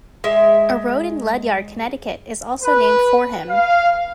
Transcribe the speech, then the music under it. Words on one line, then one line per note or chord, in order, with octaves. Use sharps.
A road in Ledyard, Connecticut is also named for him.
G#3 E5
B4
F5